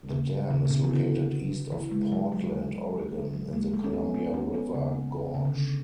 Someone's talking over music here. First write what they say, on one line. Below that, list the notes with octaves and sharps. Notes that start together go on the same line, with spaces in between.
The dam is located east of Portland, Oregon, in the Columbia River Gorge.
C#3
C#3
C#3
B2
E3
D3
E3
G#3
F#3
F#3
F#3
G#3
A3
C#4
B3
B3
C#4
B3
C#3
C#3
D3
C#3